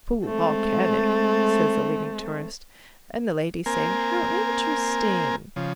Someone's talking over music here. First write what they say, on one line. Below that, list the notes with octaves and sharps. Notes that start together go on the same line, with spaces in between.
"Pooh, volcanic!" says the leading tourist, and the ladies say how interesting.
G#3 A3 C4
A#3 C4 A#4 G#5
C#3 F3